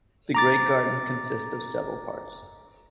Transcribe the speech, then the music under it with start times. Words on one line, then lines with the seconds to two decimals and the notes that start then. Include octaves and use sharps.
The Great Garden consists of several parts.
0.35 A#5 D6 A6